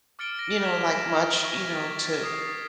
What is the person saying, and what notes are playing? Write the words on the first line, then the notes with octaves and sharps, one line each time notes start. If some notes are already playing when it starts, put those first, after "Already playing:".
you know, like much, you know, to
D6 F6 A6 C#7 D7 G7
A#6
D6 G#6 B6 E7 F7
C#6
G#6 A6 B6
D#6 C7